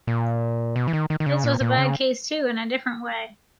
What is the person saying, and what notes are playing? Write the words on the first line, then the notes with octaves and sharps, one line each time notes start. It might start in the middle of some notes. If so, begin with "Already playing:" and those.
His was a bad case too, in a different way.
A#2
B2
E3
D#3
D#3
D#3
C#3
A#2
A#2
C#3